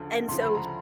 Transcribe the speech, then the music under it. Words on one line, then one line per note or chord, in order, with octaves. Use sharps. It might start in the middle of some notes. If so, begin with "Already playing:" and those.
and so
Already playing: D2 C#3 F3
D2 C#3 F3 C6
B5
A#5